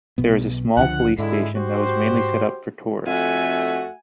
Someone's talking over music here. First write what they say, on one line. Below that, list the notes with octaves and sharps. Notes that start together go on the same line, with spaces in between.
There is a small police station that was mainly set up for tourists.
B1 B2 B3
C#2 D3 F3 F#5
G#2 D3 G#3 E4
F#4 G4 C5
F2 A3 F#4 E5 F#5 G#5